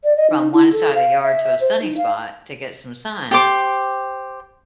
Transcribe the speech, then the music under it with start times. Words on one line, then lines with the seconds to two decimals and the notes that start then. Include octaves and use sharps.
from one side of the yard to a sunny spot to get some sun,
0.04 D5
0.16 D#5
0.30 D#4
0.53 E4
0.73 A4
0.95 F5
1.23 E5
1.44 E5
1.61 C5
1.82 D#4
1.97 F5
3.31 G4 C5 D6